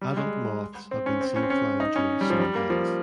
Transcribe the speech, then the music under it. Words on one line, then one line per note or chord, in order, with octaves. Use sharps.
Adult moths have been seen flying during sunny days.
G3
G#3
C4
C#4
C4
C#4
C4
C#4
D#4
C#4
G3
F3
G3
A#3
F3